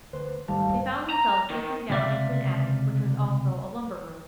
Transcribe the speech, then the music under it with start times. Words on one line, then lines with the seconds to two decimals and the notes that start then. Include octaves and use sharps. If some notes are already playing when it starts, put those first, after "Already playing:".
They found themselves looking down into an attic, which was also a lumber-room.
0.13 D2 B4 C5
0.48 G#1 D#3 G3 A3 C5 F5 A5
0.69 G2
1.10 A#5
1.50 D#3
1.90 C#2 C3 D5 E5 F5